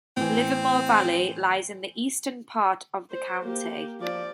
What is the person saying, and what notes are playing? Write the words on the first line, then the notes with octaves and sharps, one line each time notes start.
Livermore Valley lies in the eastern part of the county.
A2 E3 C4
C5
A#3 G4
F3 D5